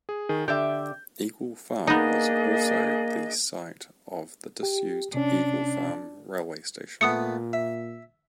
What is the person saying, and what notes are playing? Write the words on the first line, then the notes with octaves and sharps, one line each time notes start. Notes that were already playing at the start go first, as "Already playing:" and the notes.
Eagle Farm was also the site of the disused Eagle Farm railway station.
G#4
D#3 G#4
D3 G4 D5 E5 G6
A#3 B3 D4 D#4 G#4 D#5
G4
C3 C#4 D4
A#2 A3 B3 D#6 C#7
E5